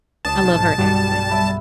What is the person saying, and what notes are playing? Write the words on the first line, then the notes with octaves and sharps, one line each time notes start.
I love her accent.
C#2 D4 A5 D#6
B1 G#2
G2 G3 F#4
D5 E5 B5